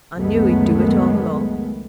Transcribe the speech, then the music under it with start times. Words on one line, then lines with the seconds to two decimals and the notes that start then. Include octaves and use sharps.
I knew he'd do it all long.
0.16 C#2 F#2 D#3 G#3 A3 B3